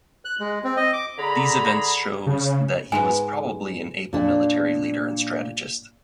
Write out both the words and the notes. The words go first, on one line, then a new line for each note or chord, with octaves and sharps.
These events shows that he was probably an able military leader and strategist.
F#6
G#3
C4
D#5
D6
D3 G#4 A#5 B5
C#3
G#2 G#3 B3 G#5
A#2 D4